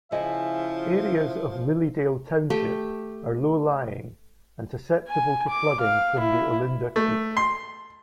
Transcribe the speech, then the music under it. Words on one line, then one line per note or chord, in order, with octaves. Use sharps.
Areas of Lilydale township are low-lying and susceptible to flooding from the Olinda Creek.
C#3 F3 E4 D#5 E5 G#5
A3 G4 G5
G#5
D6
F5
E4
A3
C6